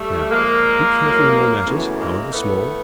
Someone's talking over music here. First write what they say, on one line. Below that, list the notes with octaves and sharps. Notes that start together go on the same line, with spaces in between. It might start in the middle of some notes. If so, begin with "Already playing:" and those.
Now, be careful in all matters, however small.
Already playing: G3 A3
A#2 F3 G#3 A#3
A2 F#3
F#2 C#3 E3 A3 B3
G#3 A#3
A2 E3 A3 B3